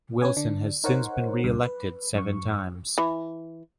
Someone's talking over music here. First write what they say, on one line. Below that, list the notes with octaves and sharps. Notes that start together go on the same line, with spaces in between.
Wilson has since been reelected seven times.
C#4 B4 C#5 G#5
D3 D4
D#4 A#4 C5 C#5 F#5
C#2 G2
B4
F#2 C#6
E3